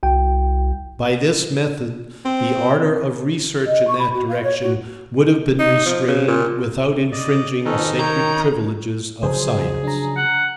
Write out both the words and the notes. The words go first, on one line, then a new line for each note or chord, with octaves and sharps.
By this method the ardour of research in that direction would have been restrained without infringing the sacred privileges of science.
C2 F#4 G5
C4
D#5
C#6
B5
F#4
F5
C#5
F#4
D#4
F3
C#3
A#2
D5 D#5
F2 D#3 C#4 A4 B4
A#4 C#5 G5 A#5
C#3 F3 F#3 G#4 C5
D4 A#5
F#5